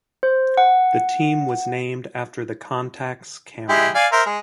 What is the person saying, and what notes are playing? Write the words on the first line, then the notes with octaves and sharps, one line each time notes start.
The team was named after the "Contax" camera.
C5
F#5
G#3 E4 G4
D5 F5 G#5
A#4 C5 E5
G#3